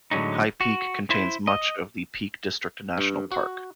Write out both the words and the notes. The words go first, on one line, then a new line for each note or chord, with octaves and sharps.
High Peak contains much of the Peak District National Park.
A2 D3 F#3 G#3 C#4 D#4
F#4
E4 C5
D#5
G2
F#4